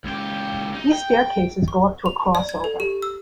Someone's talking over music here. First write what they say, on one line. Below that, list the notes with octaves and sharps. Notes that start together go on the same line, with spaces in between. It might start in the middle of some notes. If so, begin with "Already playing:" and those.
These staircases go up to a crossover.
C#2 G4
D#4
G5
C#6
F7
D5
G#6
A4
G4
E6